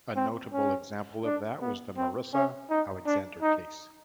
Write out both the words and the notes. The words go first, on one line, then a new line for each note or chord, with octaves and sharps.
A notable example of that was the Marissa Alexander case.
C4
C#4
D4
B3
C4
C#4
D#4
D4
D#4